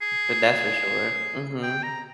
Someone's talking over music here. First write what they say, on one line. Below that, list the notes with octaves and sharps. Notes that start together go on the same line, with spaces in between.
So that's for sure. Mhm.
G#4
G5
A#5